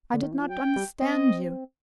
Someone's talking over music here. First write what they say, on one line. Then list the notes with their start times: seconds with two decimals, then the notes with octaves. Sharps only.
I did not understand you.
0.14 D3
0.23 D#3
0.32 E3
0.42 F3
0.50 F#3 G5
0.76 G3
1.01 C4 D#5